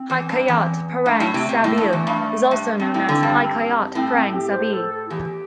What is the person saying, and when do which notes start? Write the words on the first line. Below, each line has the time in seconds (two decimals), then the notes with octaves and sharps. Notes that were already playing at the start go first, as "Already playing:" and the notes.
Hikayat Perang Sabil is also known as "Hikayat Prang Sabi".
Already playing: C4
0.10 E2
0.29 G2
0.48 E2
1.06 G2 A3
1.20 A2
1.34 C3
1.49 C3
1.63 A2 A3
1.78 G2
1.93 E2
2.07 G2
2.51 G2
2.79 G2 C4
2.94 A2
3.09 D3
3.23 G2
3.95 A2 C4
4.15 C4
4.34 G4
4.52 C5
4.73 A4
4.91 A4
5.06 E4
5.10 E2 G4